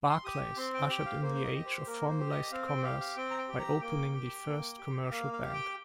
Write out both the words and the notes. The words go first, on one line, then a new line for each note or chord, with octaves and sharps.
Barclays ushered in the age of formalised commerce by opening the first commercial bank.
C6
G4 D#6
C4 C6
G5
G4 G5
F5
A#3 C5
C5
D#5
G4
C5
A#3 A#4
C5
G4
D#5
C4 F5
G5
G4 F5
F5
C4 G5
A#5
G5
G4
A#5
A#3 G5
G4
A#3
G4
A#3 F5
F5
G4
G5